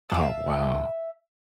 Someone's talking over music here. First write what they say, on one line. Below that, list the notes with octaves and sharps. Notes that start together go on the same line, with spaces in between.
Oh, wow.
E5 F5 A5